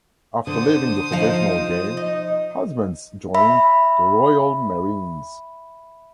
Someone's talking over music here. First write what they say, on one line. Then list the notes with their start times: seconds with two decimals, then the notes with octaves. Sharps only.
After leaving the professional game, Husbands joined the Royal Marines.
0.47 D3 C5 D#6
1.12 F3 D#4 F5
1.97 D#4
3.34 E5 B5